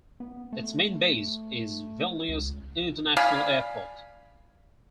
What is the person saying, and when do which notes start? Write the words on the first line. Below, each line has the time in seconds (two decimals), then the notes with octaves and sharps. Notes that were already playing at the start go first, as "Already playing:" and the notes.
Its main base is Vilnius International Airport.
0.20 B3
0.53 A3
2.29 C#2
3.17 D5 F5 G#5 B5